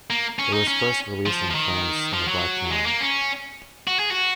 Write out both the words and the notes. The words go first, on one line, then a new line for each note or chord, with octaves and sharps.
It was first released in France in a black can.
A#3
C#4
D#4
C#4
F3
F3
D#3
F3
F#3
G#3
A#3
C#4
F#4
G#4
F#4